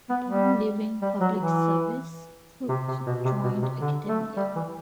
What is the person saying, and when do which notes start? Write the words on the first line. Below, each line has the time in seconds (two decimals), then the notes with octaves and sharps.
Upon leaving public service, Fuerth joined academia.
0.10 B3
0.28 G3
1.02 G3
1.21 F#3
1.39 E3
2.69 C3
2.88 C3
3.06 B2
3.25 C3
3.44 B2
3.62 C3
3.81 D3
4.09 A3
4.37 G3
4.56 E3